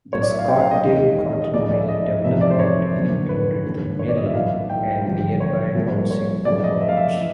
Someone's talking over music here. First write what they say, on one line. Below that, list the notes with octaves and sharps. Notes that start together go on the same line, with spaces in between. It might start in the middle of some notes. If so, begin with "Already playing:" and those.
The Scottdale Cotton Mill development included the mill and nearby housing for workers.
B1 A2 F#3 C#5
D5
E5
F5
G5
F5
D#5
E1 D#2 D#3 G#3
D#5
C#2 C#3 F3 D5
D5
E5
D#5
F1 E2 C3 F3 E5
D5
C5
C#5
F#1 F#2 D3
B4
E1 D#2 D3
C#5
D5
D#5
E5
B1 A2 E3 A3 F5
G5
A1 G2 D3 F3 G5
C#5
C2 A#2 F3 G#3
C#5
F#2 C#3 F3 A3 D5
D#5
E5
F5
E5
E3